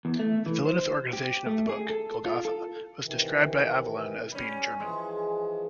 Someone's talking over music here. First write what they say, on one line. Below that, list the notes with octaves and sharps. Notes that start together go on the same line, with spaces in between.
The villainous organization of the book, Golgotha, was described by Avallone as being German.
E2
A3
E3
C5
G4
A3
G#4
A4
F4
A4
C3 D#3 E3
G3 C#4
E3 F3 G#3